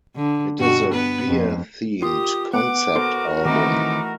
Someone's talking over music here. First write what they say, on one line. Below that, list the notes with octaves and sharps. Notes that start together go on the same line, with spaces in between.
It is a "beer-themed" concept album.
D3
G2 B2 F#4
B3 B4
F2
F4 G4 A#4 D#6
B3 F#5 D6
B3 F#4 A4 A#4 C5
D#3 E3 A3 C4 D#4 D6